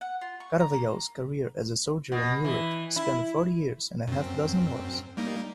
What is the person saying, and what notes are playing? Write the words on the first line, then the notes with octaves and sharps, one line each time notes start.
Carvajal's career as a soldier in Europe spanned forty years and a half-dozen wars.
F#5
F4
C#6
A#5
A#3
B2
E3
E4
F#2 C4
G3 A#3 D#4